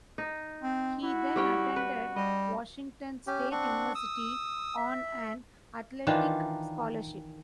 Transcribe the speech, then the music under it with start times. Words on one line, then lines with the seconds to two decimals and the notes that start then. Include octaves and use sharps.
He then attended Washington State University on an athletic scholarship.
0.18 D#4
0.63 C4
1.03 E4 F#4
1.36 G3 C#4 G5
1.76 B4
2.16 G3 D#5
3.27 C#4 G4
3.52 C4 D4 F#5 C#6
3.95 D#6 E6
4.77 E5
6.07 D#3 E3 D4 F4